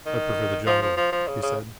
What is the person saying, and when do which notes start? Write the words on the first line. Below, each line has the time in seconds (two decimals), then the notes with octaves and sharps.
"I prefer the jungle," he said.
0.06 D#3
0.67 F3
0.82 F3
0.97 F3
1.12 F3
1.28 C#3
1.43 C#3